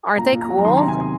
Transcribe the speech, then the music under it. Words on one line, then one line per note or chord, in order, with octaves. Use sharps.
Aren't they cool?
A#2 A#5
A#2
A#5
F#3
A#5
D#3 C6
A#5
C3
G#5
C3 C6